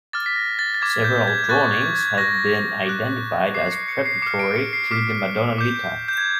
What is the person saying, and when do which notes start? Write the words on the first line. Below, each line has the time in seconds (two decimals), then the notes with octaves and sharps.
Several drawings have been identified as preparatory to the "Madonna Litta".
0.13 D6 F6 A6
0.26 B6
0.36 A#6
0.59 A6
0.74 A6
0.82 D6 F6 G#6
1.04 G6
1.28 G#6
1.49 C#6 F#6 A6
1.73 G#6
1.95 G#6
2.17 C#6 F#6 A#6
2.86 D6 F#6
3.54 D6 F#6 C7
3.72 C#7
3.88 C#7
4.06 C7
4.22 D6 C#7
4.27 F6
4.39 D7
4.56 C#7
4.73 C7
4.91 D6 F6 B6
5.58 D6 G6
6.08 G6
6.18 G#6